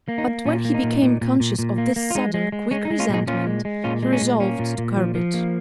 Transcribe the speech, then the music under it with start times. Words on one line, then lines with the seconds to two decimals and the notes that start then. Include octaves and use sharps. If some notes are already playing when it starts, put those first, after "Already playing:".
But when he became conscious of this sudden, quick resentment, he resolved to curb it.
0.08 A#3
0.18 D#4
0.27 A#3
0.46 A#2 C#4
0.65 A#3
0.74 D#4
0.83 A#2
1.02 A#2
1.21 A#2
1.40 A#2
1.59 A#2
1.78 A#3
1.96 A#3
2.10 F4
2.15 G#3 D#4
2.34 G#3
2.52 G#3
2.71 G#3 C#4
2.85 D#4
2.90 G#3
2.99 C#4 F4
3.09 A#2 D#4 G#4
3.27 A#2 C#4 F4
3.47 G#3
3.65 G#3
3.84 A#2 C#4 F4
4.03 G#3
4.13 C#4
4.22 A#2
4.40 A#3 C#4
4.59 A#2
4.78 A#2
4.96 F3
5.15 F3
5.34 A#3